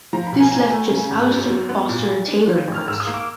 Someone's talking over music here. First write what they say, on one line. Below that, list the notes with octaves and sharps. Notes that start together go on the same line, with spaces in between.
This left just Allerston, Foster and Taylor in post.
F3 A#5
B5
B1
G#5 A#5
A2
A3
C#3
G#1
F#2
F#3
B3
A#2
G3
D4
F3
A1
F6
G#2 E6
D#6
A#3
D6